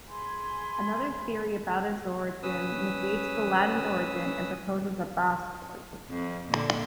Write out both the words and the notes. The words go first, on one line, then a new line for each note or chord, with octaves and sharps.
Another theory about is origin negates the Latin origin and proposes a Basque origin.
G#4 G#5 B5 C6
C#4 B4 D#6 E6
F2
A#2 D3